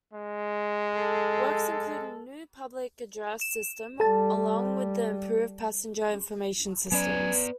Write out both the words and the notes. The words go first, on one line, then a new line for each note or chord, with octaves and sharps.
Works included a new public address system along with improved passenger information systems.
G#3
A4
E7
G3 A4 A5
F#3 B3 C#4 B4 D5 G#5